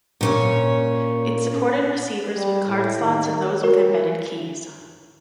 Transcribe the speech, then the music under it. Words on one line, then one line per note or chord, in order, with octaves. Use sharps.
It supported receivers with card slots and those with embedded keys.
A#2 C#4 C#5
G3
A2
D#3
F#4 A#4 C#5